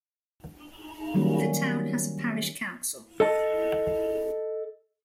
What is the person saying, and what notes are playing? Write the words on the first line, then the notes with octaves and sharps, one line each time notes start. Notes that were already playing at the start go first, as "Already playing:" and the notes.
The town has a Parish Council.
D#3 F#3 G3 A#3 C#4
A4 D#5 A5